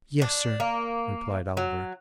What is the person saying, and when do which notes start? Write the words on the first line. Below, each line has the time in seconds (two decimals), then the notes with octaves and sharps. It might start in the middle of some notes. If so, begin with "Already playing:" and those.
'Yes, sir,' replied Oliver.
0.22 D4
0.60 A#3
1.57 F#3